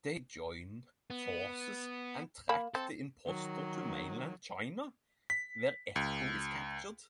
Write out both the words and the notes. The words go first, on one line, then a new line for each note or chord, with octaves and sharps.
They join forces and track the impostor to mainland China, where Echo is captured.
B3
A#3 B5
C4 A4
D#3 F#3
B6
C#2